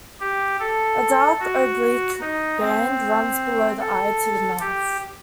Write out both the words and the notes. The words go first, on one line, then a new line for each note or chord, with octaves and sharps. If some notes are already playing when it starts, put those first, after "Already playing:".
A dark oblique band runs below the eye to the mouth.
G4
A4
F#4
D#4
C4
A4
G4